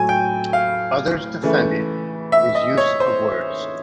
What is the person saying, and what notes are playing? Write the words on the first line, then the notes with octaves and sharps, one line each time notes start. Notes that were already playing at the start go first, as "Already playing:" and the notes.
Others defended his use of words.
Already playing: A2 F#3 A3 G#5
G5
F5
C#3 E3 A3
E5
D#5
C#5
C5